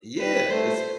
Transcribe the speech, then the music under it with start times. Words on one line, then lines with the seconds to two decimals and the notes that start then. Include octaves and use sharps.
Yeah, it's
0.19 G3 B4
0.50 A3 C5